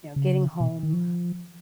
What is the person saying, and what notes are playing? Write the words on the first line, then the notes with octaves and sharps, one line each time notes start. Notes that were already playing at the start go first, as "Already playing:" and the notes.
you know, getting home,
C#3
B2
D#3
F3